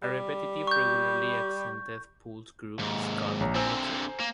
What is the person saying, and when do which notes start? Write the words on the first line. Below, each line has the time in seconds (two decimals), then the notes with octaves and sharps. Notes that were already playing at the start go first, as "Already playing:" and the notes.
A repetitive, regularly accented pulse-group is called a metre.
0.03 G3
0.67 C#6 G6
2.79 D#2 G#2
3.40 A#1 C#5 A#5
3.55 D3 C4 C5 G#5 A#5
4.20 A#3